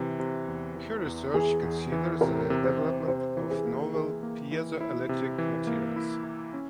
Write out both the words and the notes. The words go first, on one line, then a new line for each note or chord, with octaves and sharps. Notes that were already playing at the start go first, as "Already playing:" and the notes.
Her research considers the development of novel piezoelectric materials.
Already playing: C3 E3
C3
E2
E3
E2
E3 G#4
E2
E3
C3 A#4
C3
C5
C3
C3 C5
E3
G#4
A#3
E3 G#4
A#3
E3
E4
C3
E3
A#3
E4
E4
C#4